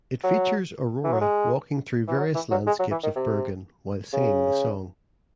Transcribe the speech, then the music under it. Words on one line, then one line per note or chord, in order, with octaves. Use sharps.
It features Aurora walking through various landscapes of Bergen while singing the song.
F#3
E3
F#3
G#3
E3
F#3
E3
F#3
G#3
F#3
E3
D#3
C3
C#3